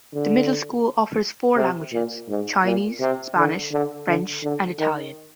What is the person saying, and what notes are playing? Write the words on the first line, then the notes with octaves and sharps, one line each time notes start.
The middle school offers four languages: Chinese, Spanish, French, and Italian.
D3
C3
A#2
G#2
A#2
C3
D3
D3
D3
D3
D#3